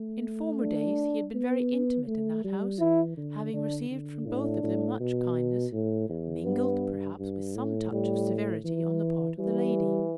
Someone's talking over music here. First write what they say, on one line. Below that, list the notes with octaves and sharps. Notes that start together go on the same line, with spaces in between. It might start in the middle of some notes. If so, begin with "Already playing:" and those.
In former days he had been very intimate in that house, having received from both of them much kindness, mingled, perhaps, with some touch of severity on the part of the lady.
Already playing: A3
D4
B3
A3
G3
E3 E4
D3
D3 D4
D3
A2 D4
A2
B2
A2
E2
G2 B3
G2
A2
A2 G3
E3
E3 G3